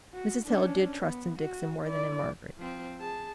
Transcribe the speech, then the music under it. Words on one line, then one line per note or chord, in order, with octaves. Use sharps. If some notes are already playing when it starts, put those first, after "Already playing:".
Mrs. Hale did trust in Dixon more than in Margaret.
F#4
C#4 D4
B3
F#4
E4 D5
F3 C4
G#4 A5